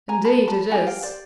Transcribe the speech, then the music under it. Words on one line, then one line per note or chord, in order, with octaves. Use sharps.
"Indeed it is."
G#5 A#5
A5 B5
A5 B5
E4 G4 A#4 F#5 G#5
F5 G5
C5 D5